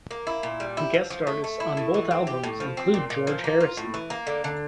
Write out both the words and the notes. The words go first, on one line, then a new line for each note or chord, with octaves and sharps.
Guest artists on both albums included George Harrison.
A#3
E4
A#2
G3
E4
F3
F3
A3
A3
E4
A2
E3
C4
G4
A2
F3
C4
A#2
A#2
F3
A#3
F4
A2
E3
A#3
D3
D3